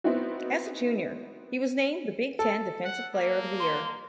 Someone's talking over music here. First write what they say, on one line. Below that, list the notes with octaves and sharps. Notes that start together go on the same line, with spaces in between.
As a junior, he was named the Big Ten Defensive Player of the Year.
B3 C4 D#4 E4 F#4
A4
F#5
A#3
C6